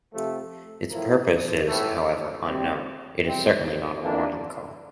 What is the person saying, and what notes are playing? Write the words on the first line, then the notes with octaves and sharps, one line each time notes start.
Its purpose is, however, unknown; it is certainly not a warning call.
C3 F3 A3
A2 F3 A3 E4 A#4
A2 E3 A3
C3 G3 C4
F2 C3 G3 C4
F2 E3 A#3 D4